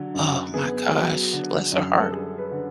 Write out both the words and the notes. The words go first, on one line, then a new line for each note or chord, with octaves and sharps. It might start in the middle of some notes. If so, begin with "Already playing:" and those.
Oh, my gosh, bless her heart.
Already playing: D3 F#3
F#2
B3 G#4
F#3
D3
F#2
A4
G3 G#4
B4
D3